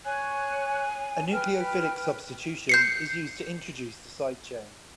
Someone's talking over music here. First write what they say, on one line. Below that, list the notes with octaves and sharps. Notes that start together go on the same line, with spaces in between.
A nucleophilic substitution is used to introduce the sidechain.
C#5 G#5 F#6
B4 G5 F6
G6 C7 C#7